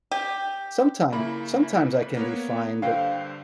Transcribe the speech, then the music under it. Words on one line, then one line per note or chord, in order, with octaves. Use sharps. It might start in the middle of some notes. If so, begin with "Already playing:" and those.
Sometime sometimes I can be fine but,
G4
C#3 A#3 E4 B5
E4
B4
A#3 B3 C#5
G2 D3 C5 F5 G5